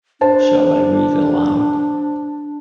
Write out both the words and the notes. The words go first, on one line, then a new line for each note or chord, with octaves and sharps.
Shall I read aloud?
D4 C5 A5